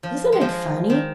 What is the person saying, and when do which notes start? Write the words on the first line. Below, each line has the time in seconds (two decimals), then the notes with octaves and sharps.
Isn't it funny?'
0.03 F3
0.32 G#3
0.41 F3
0.49 G#3
0.90 D#3